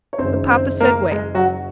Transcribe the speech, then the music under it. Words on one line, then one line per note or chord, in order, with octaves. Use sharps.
But Papa said, "Wait."
C#5
F#1 F#2 D#3 G#3 C4 C5
C4 C5
A#3 A#4
G#3 G#4
F#3 F#4